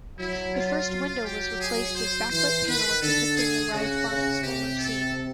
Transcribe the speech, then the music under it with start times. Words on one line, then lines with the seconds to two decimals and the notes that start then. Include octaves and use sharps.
The first window was replaced with backlit panels depicting the ride's barnstormer scene.
0.19 F#3 E4
0.54 F4
0.90 F#3
1.25 G4
1.60 G#4
1.95 C5
2.30 E3 C5
2.66 D#3 B4
3.01 D3 A4
3.37 G#4
3.72 C#3 F#4
4.08 C#3
4.43 C3 G4
4.78 A4